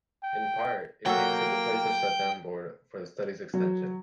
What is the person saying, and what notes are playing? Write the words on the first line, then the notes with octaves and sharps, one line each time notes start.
In part, it came to replace the shut down Board for the Studies Extension.
G5
F#3 A#3 F#4 A4 G5
F#3